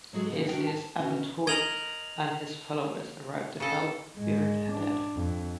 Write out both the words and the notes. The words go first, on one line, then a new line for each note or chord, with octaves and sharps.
He sees Abbot Hui and his followers arrive to help bury the dead.
F#3 G#3 F#4 G#4 A4
D3 E3 F3 A#3 B3 D#4
D4 F#4 G4 A#4 G5
A5
B2 D3 C#4 D#4 F#4
A#4 D#5 G#6 F7 F#7
C#3 A4
G#2 G#3
D4
F2